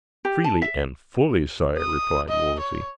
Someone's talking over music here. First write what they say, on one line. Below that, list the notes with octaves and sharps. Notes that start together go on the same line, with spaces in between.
"Freely and fully, sire," replied Wolsey.
G4
A5
E5
D#6
D#5
C#5